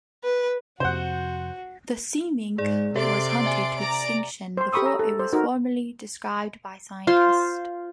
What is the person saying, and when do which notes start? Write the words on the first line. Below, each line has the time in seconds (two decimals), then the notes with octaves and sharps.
The sea mink was hunted to extinction before it was formally described by scientists.
0.24 B4
0.80 F2 C3 F#4 C5 F#5
2.58 G#2 G#4 D5
2.96 C3 G4 A4 D5 E5 C6 D7
3.46 E5 G#5
3.77 D5 A#5 D7
4.57 C5 C6
4.72 G4 A4 B5 C#6 D#6 E6
4.86 A#5 E6
4.99 A4
5.19 C5
5.33 D#4 F#4 A#4
7.07 F4 C5 C6